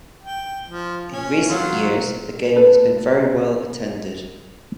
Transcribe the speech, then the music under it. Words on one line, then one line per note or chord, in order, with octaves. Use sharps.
In recent years, the game has been very well attended.
G5
F3
C#4
F#3 F4
A4 B4